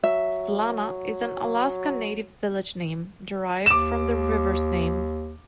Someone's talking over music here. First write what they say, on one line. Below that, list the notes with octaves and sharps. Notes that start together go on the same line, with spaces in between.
Slana is an Alaska Native village name, derived from the river's name.
F#3 E5
D#2 D6 E7